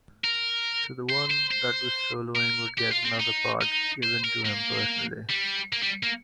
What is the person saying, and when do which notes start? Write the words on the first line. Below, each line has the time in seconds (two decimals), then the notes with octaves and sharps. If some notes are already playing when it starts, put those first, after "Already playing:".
So the one that was soloing would get another part given to him personally.
0.24 A#4
1.09 C5
1.30 C5
1.51 C5
2.35 A#4
2.78 G4
2.91 F4
3.05 C4
3.20 D#4
3.61 D#4
4.04 C5
4.25 A#4
4.45 A#3
5.30 G3
5.73 A#3
5.83 G3
6.03 A#3